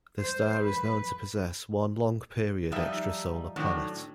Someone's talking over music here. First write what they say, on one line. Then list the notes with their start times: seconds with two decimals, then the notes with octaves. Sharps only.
The star is known to possess one long-period extrasolar planet.
0.19 C5
0.64 B4
2.72 F3 G3 D#4 E5
3.56 A2 D#3 F#3 D4